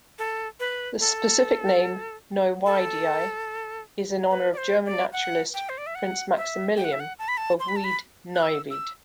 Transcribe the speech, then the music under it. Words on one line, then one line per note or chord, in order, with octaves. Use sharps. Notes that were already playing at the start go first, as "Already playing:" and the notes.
The specific name, "neuwiedii", is in honor of German naturalist Prince Maximilian of Wied-Neuwied.
A4
B4
A4
A4
B4
D5
C5
D5
F#5
G5
C5
D5
E5
F#5
E5
G5
F#5
E5
F#5
A5
B5
A5
C6
B5
A5
B5
F#6
E6
E6